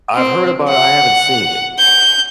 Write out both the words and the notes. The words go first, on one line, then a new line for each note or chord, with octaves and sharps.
I've heard about I haven't seen it.
C4
F#5
G6